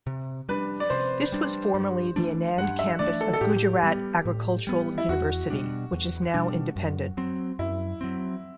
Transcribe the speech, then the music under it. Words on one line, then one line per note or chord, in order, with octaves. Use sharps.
This was formerly the Anand Campus of Gujarat Agricultural University, which is now independent.
C3
G3 D4 B4
D5
C3 C5
G3 D4
G2
E3 A3 D4
G2 F#5
E5
E3 A3 D4 D5
A4
A4
A2 G4
G3 B3
A2
G3 B3
E4
E2 F#4
B2 G3 D4
E2
B2 G3 D4
F#2
F#3 C4
F#2 E4
F#3 C4